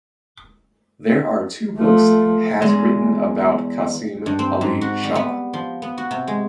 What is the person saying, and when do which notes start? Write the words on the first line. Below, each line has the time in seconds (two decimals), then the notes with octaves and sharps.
There are two books has written about Qasim Ali Shah.
1.78 F3 A3
2.62 E2 G#3
4.26 G2
4.39 C4
4.61 G#2
4.81 F#4
5.03 G3
5.15 B3
5.53 F3
5.82 B3
5.98 F#4
6.11 C3
6.27 G#3